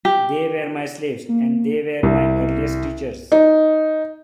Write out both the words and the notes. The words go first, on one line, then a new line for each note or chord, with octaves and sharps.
They were my slaves; and they were my earliest teachers.
G4
A#3
C2
D#4